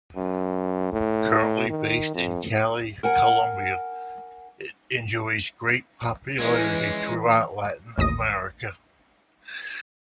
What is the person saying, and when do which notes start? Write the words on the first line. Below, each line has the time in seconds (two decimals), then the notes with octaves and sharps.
Currently based in Cali, Colombia, it enjoys great popularity throughout Latin America.
0.16 F#2
0.92 A2
1.70 D#3
2.15 F2
3.03 A#4 F#5 G#5
6.40 E3 G#3 C#4
7.98 A1 D#2 D#6 A#6